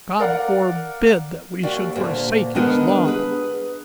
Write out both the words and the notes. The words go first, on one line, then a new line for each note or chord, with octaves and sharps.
God forbid that we should forsake His Law.'
A#4 D5 F5 F#5
D#2 F#4 D5
D2 A#2 A#3
D3 D#3 G#3 B3 A#4 B4
G#4 B4